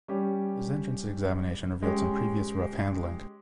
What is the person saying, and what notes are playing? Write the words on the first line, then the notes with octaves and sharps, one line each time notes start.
His entrance examination revealed some previous rough handling.
G3 C#4 G4
G#3 C#4 G4